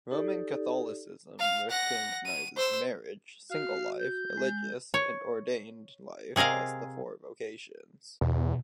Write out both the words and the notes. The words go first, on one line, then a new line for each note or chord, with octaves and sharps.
Roman Catholicism recognizes marriage, single life, religious, and ordained life as the four vocations.
D#4 G4 A4 D5
F5
F#5 A#6
D#7
C5 E6
F#4 F5
G6
G#3
C#5
C3 G#4 A#4 D#5 F5
E2 B2